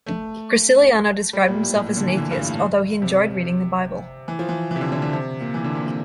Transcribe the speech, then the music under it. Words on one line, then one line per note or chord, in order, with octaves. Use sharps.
Graciliano described himself as an atheist, although he enjoyed reading the Bible.
A3
G3
A#2
A2
A2
A#2
D3
E3
D3
G2
A#2
A2
C3
E3
F3
E3
E3
C3
D3
D3
D3
C3
A#2
E3
D3
A#2
C3